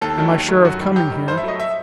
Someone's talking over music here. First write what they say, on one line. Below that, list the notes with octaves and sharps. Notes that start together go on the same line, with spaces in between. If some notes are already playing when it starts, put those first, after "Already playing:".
"Am I sure of coming here?"
D#2 A4
D#3 F#3 A3
D#2
D#3 F#3 A3
F#2 F#4
D#3 G3
F#2 G4
D#3 G3
G2 C5
E5
F#3 A3 D#5
E5